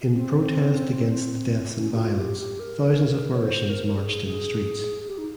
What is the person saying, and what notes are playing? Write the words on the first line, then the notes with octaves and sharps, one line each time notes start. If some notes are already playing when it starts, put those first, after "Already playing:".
In protest against the deaths and violence thousands of Mauritians marched in the streets.
C4
C#4
G4
F4
G4
G4
A#4
C#5
C5
A#4
A#4
G#4
G#4
G4
D#4